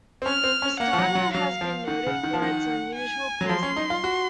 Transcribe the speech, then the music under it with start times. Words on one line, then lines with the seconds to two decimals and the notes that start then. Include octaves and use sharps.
Bastardo has been noted for its unusual place name.
0.22 C4
0.26 C#4 F6
0.44 C4
0.62 C#4
0.80 A#3 F#5
0.93 F3
0.99 F#3
1.15 F#3
1.34 F#3 F5
1.61 F3
1.87 D#3 F#5
2.06 C#3
2.23 D#3
2.33 F3
2.42 D#3 F#5
2.95 G#5
3.41 F#3
3.49 F3 C6
3.63 C#4
3.76 D#4
3.90 F4
4.04 F#4